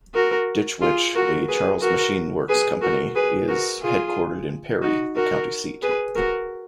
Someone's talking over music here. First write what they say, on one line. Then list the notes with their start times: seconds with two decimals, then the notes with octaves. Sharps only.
Ditch Witch, a Charles Machine Works company, is headquartered in Perry, the county seat.
0.14 F#4 A#4
0.81 F4 G#4
1.15 F#4 A#4
1.48 G#4 B4
1.81 F#4 A#4
2.48 G#4 B4
2.81 F#4 A#4
3.15 G#4 B4
3.48 F#4 A#4
3.82 F4 G#4
4.82 D#4 F#4
5.15 F#4 A#4
5.82 G#4 B4
6.15 F#4 A#4